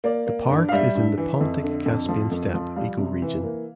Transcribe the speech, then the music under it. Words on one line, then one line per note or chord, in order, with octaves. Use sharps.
The park is in the "Pontic–Caspian steppe" ecoregion.
A#3 D5
A#3
G2
F5
G3 E5
G2
E3
F2
D3
F2
F3
F2
F3
G3 F5
C3
E3
A#3